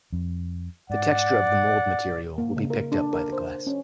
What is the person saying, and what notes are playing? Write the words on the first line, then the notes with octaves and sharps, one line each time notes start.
The texture of the mold material would be picked up by the glass.
F2
G#2 D5 F#5
A#3
C#3
A#4
D4
A#4
C5
C#4